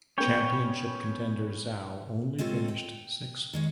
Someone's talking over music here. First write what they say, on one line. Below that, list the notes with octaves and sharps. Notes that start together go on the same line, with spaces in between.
Championship contender Zhou only finished sixth.
B3 C#4 C#5 G5
G#3 C4 F4 A4 C#5
G5
D#3 G#3 C#5